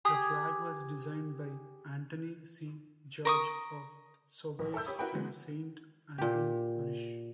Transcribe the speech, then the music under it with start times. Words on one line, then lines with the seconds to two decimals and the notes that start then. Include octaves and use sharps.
The flag was designed by Anthony C. George of Soubise in Saint Andrew Parish.
0.05 G4 G#4 D#6
3.25 A#4 C#6 D#6
4.59 A#1
4.74 A4 A#4 E5 E6 G6
4.86 G4 C#5 B5 D#6
4.99 E4 F#4 A#4 B4 G5 B5
5.14 E3 F#3 G#3 B3
6.18 A#2 G4